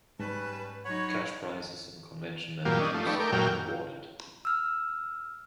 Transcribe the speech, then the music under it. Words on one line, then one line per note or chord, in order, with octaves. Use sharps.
Cash prizes and convention memberships are awarded.
G#2 G3 C#4 B4 A5
F#3 D#4 C#5 F#5 B5
G2 A#2 F#3 A#3 F4 G4
C#4 D4 D#5
F3 A3
D#4 G4 A4 B4 C#5 D5
A3 A#4 G5 D6
F#2 A#2 F#3 G4 G5 F6
E6 F6